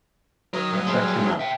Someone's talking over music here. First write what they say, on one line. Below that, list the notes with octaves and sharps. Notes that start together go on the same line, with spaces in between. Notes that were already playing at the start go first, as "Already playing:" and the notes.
Check him out.
F#3 A#4 D#5
G2 D#5
G3 G#3
E5 G5